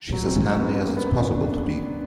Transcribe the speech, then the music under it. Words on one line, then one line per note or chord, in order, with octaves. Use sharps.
She's as handy as it's possible to be.
F#3
C4
C#4
C4
B3
A#3
B3
C4
C#4
D4